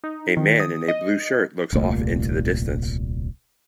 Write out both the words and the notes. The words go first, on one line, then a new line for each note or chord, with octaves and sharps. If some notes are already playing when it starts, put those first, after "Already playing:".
A man in a blue shirt looks off into the distance.
D#4
D#3
D#6
D#5
D#1 C2 A#2 A3